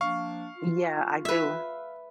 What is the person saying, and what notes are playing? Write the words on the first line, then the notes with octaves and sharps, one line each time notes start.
Yeah, I do.
F3 A#3 D4 F5 C#6
F4
B4 E5